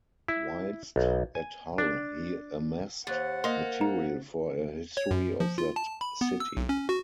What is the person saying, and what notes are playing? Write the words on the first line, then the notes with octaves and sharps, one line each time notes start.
Whilst at Hull he amassed material for a history of that city.
E4
B1
G#5
D4
D#2 C5 F#5 F#6 A6
A#3 D#5 C6
D#4
C#5
F#2
F3
F4
A5
B5
B3
E6
B1
C#4
F#4